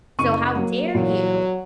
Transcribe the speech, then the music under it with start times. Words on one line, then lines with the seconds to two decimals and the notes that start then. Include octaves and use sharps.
So how dare you?"
0.19 F#1 C#6 D#7
0.55 F#3 A#3
0.95 A#2 E3 F#3